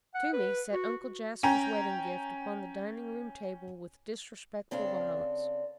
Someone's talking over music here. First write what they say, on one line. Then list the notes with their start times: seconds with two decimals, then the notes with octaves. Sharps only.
Toomey set Uncle Jasper's wedding gift upon the dining room table with disrespectful violence.
0.15 F#5
0.33 B4
0.73 F#4
1.43 C#4 G5 A#5
4.71 C#3 C4 D4 A4 F5